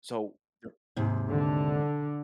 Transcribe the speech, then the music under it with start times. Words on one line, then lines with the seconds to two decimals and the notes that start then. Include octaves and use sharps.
So the
0.96 D#2 G#2 C3
1.30 D3